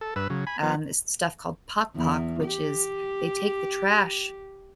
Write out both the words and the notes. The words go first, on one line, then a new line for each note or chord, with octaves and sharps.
um, it's stuff called Pagpag, which is, they take the trash
A4
G2 B4 E6
C#3 F#3
G#5 B5
F3 B3
E2
G4